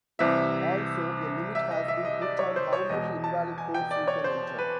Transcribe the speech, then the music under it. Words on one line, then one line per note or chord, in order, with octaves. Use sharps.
Also, a limit has been put on how many invalid codes you can enter.
C2 C3 E3 E5
E5
D#5
E5
D#5
D5
C#5
C5
C#5
E2 B2 D#5
A5
G#5
G5
D5
C#5
C5
B4